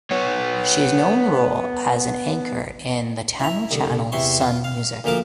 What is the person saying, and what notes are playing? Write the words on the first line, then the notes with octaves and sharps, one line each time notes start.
She is known role as an anchor in the Tamil channel Sun Music.
B3 C#5
E4 A#5
C2 D3
E2 C3 E4 C6 C#6
F4
F5
D2 A#2 F3 A#4 D6